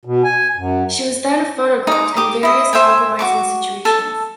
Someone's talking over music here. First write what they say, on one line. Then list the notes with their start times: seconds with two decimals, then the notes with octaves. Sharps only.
She was then photographed in various compromising situations.
0.05 B2
0.24 G#5
0.57 F#2
1.87 D#4 D6
2.17 G4 D6 D#6
2.43 E4 D#5
2.73 C5 E5 G5 G#5
3.19 F#4 C#6 D6
3.85 A4 A5